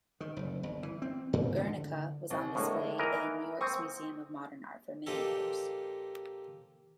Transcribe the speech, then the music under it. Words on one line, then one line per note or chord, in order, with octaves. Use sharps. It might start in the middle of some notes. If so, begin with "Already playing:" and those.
"Guernica" was on display in New York's Museum of Modern Art for many years.
D#3
F#1
G1
E3
C4
G#2
D3
C2
A2 D3 G#3 A#3
E3 A#4 D#5
C4 C#6 D#6
A#2 F3 D#4 G4 A4